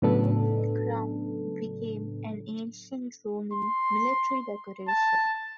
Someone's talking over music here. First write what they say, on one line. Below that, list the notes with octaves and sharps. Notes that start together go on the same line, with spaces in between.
The mural crown became an ancient Roman military decoration.
A2 C#3 F#3 B3 D4 A4
C6
A5